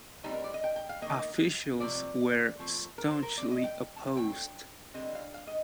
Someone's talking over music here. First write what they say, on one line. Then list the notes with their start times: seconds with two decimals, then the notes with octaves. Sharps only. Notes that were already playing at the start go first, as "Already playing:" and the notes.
Officials were staunchly opposed.
0.23 A2 G3 C4 D#4
0.33 A#4
0.44 D5
0.54 D#5
0.64 G5
0.76 G5
0.89 F5
1.02 D#3 A#3 D#5
1.80 C3 F3 A3 C4 D5
2.59 A#2 F3 A3 C4
2.98 A#4
3.11 C5
3.23 A#4
3.38 A#2 F3 C4 D5
3.51 D#5
3.64 G5
3.96 A5
4.16 D3 A3 C4 G5
4.94 D3 G3 C4 D#5
5.15 F5
5.34 F5
5.47 D#5